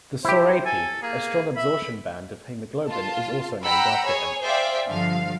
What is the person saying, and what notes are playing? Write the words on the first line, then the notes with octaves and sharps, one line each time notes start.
The Soret peak, a strong absorption band of hemoglobin is also named after him.
E4 G4 C5
A4 G#5
A#3 G#4
E5 B5
F4 A5
F#5 G5 A#5 B5 E6
G#4 C#5
G#4 C5 D5 E5 F5 G5
G2 D3 F3 F5